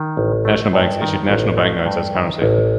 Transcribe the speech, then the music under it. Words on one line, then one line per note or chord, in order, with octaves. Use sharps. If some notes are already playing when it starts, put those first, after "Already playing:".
National banks issued National Bank Notes as currency.
Already playing: D#3
A1
A3
G2
D#3
A1
A3
G2
D#3
A1